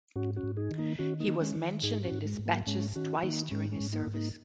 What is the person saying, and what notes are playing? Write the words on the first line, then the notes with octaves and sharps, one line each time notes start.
He was mentioned in despatches twice during his service.
G#2 C#4 F#4
C#4 F#4
G#2
D#4 G#4
D#3
A#3 D#4
D#3 C#4 F#4
A#3 D#4
D#3
G#3 C#4
D#3
G#2 D#4 G#4
C#4 F#4
G#2
G#3
G#2
F#3 A#3
G#2 G#3 C#4
D#3 C#4 F#4
D#3 A#3 D#4
G#2 G#3 C#4
G#3 C#4
G#2
A#3 D#4
G#2
A#3 D#4